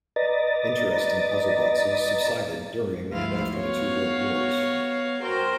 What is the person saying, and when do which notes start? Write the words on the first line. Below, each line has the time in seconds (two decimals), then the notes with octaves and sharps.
Interest in puzzle boxes subsided during and after the two World Wars.
0.16 B4 D5 D#5 A#5 A6
3.10 D2 F3 E4 F4 F5
3.52 B3 F#4 C#5 F5
5.22 F#4 A#4 C5 G5